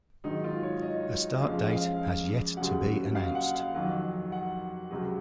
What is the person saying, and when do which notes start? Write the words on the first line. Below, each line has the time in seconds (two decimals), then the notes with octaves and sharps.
A start date has yet to be announced.
0.24 G#2 D#3 F#3 D#4
0.44 F4
0.63 C#5
0.82 D#5
1.40 F2 C#3 F3 G#3 F5
1.69 F5
2.57 D#2 C#3 F#3 F#5
3.15 F5
3.35 F#5
3.54 F5
3.75 F2 D#3 F#3 F#5
4.32 F#5
4.91 C#2 C3 F#3